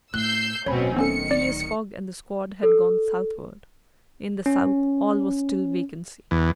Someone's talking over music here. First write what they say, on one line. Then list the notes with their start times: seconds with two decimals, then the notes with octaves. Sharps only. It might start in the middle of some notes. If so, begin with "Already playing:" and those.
Phileas Fogg and the squad had gone southward; in the south all was still vacancy.
0.14 A2 E6 F#6 G6 C7
0.66 D1 B2 C4 C#4 C#5 B5
0.97 D#3 B3 C#4 A4 C#7
1.31 D5
2.63 A4
4.46 C#4
6.31 E2